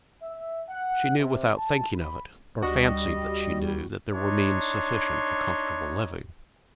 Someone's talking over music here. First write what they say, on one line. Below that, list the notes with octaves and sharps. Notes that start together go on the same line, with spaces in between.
She knew without thinking of it,--or fancied that she knew, that there were means sufficient for comfortable living.
E5
F#5
C3
A5
B5
D2 G3 F#4 D#5
D4 D#4 C#5 C6